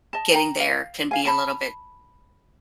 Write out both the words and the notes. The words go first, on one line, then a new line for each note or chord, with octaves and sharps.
getting there can be a little bit
D#5 A5
G5 A#5
F5
F5 G#5
A5 B5